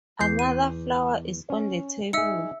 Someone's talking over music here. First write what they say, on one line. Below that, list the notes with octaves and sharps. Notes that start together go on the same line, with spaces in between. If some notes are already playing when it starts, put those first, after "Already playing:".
Another flower is on the table.
E2 G6 C7
D#7
C#4
D#4 G#4 E5 E6 C#7